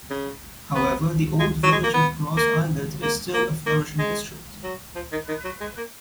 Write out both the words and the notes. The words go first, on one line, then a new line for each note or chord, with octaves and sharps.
However the old village of Gros Islet is still a flourishing district.
C#3
B3
G#3
F#3
G#3
A#3
B3
A#3
A#3
A#3
A#3
G#3
F#3
F3
D#3
D#3
F#3
G#3
A#3